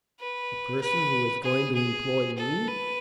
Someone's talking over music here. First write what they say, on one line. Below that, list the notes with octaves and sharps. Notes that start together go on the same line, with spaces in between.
"The person who is going to employ me?"
B4
B4
G#4
G#4
A4
B4